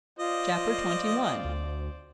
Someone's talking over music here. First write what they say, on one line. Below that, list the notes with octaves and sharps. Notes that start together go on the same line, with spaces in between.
Chap. XXI.
F4 C5 D5 D#5
D2